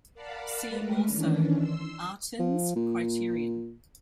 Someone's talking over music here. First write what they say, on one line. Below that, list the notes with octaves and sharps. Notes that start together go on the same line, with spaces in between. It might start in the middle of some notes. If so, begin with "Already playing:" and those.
See also: Artin's criterion.
A#4 D5 F5 F#5 A5 B5
G#3 A3 A#4 B4
D#3 E3 C#4 D4
C6 E6
F3
A#2